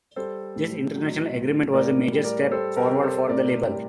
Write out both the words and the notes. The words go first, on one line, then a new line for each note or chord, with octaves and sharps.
This international agreement was a major step forward for the label.
G3 A4 C5
A2
F#3
A2
A2 A#4 D5
G3
A#4 D5
G3 A4 C5
G4 A#4
C3
A4 C5
A2 A#4 D5
G3